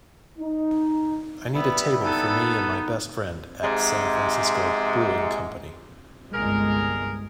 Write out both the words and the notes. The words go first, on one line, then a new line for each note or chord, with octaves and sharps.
I need a table for me and my best friend at San Francisco Brewing Company.
D#4
G3 B3 E4
B3 D#4 A4
G#2 C3 G#3
G1 C2 G#3 G#4 A#4